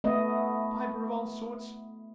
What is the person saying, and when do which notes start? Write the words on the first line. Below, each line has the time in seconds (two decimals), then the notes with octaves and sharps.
Fibre of all sorts.
0.04 A3 B3 D#5